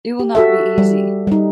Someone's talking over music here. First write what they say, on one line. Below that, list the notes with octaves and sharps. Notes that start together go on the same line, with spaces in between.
It will not be easy.
G4
F#4 A4 E5
G3
G3 D#4